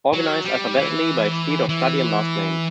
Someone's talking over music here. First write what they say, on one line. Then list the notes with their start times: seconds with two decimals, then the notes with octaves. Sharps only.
Organized alphabetically by field of study and last name.
0.13 F#3
0.45 G3
0.76 E3
1.69 E3